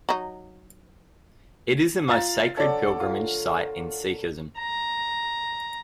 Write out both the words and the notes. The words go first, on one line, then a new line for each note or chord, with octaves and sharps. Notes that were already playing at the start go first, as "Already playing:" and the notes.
It is the most sacred pilgrimage site in Sikhism.
F#3 D#4
F4 A#5 A6
D3 F#3 A4 C#5 D5
F4 A#4
A#5